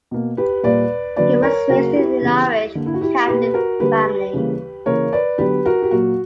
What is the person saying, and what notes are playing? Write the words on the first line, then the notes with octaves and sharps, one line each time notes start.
He was raised in an Irish Catholic family.
B2 A#3
G4 B4
A#2 G3 A#3 B4 D5
D3 F#3 A#3 B4 D5
A#4 C#5
C#3 F#3 A#3 F#4 A#4
E4 G4
C#3 E3 B3
D3 A#3
E4
F#4
E4 G4
B2 A#3 G4 B4
F#4 A#4
D3 G3 A#3 G4 B4
C#3 E3 G3 A#3
C#3 E3 A#3 A#4 C#5
B4 D5
D3 F#3 B3 G4 B4
F#4 A#4
G4
A#2 F#3 A#3 F#4